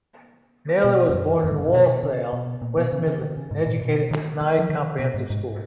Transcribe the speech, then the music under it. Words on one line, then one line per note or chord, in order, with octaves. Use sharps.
Naylor was born in Walsall, West Midlands, and educated at Sneyd Comprehensive School.
B2
F2
F#2
F#2
G#2
F#2
C#3
B2
C#3
B2
A#2
B2
C#3
C#3
D#3
C#3
G#2
A#2
B2
D#3
D#3
F3
D#3
B2
G#2
G#2